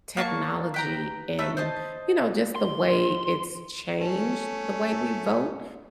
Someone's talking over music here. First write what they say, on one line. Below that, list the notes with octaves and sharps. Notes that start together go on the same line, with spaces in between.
technology and, you know, just the way it's changed the way we vote?
A#3 A5 C#6
B4 G5 A#5
A3 A4 B4 E5
C5 D#5 A5
C6
A3 C#4